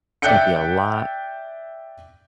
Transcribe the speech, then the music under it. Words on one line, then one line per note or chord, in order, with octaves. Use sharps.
it's gonna be a lot
D5 E5 G5 F#6 G6 C#7